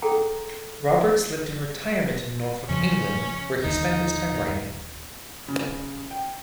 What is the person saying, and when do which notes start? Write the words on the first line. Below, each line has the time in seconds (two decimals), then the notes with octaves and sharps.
Roberts lived in retirement in Norfolk, England, where he spent his time writing.
0.02 G#4 A4 F#5 G5 A#5
2.69 E2 C#3 F3 C#4
3.64 D#1 D#2 D3 D#4
5.48 C#3
6.11 G5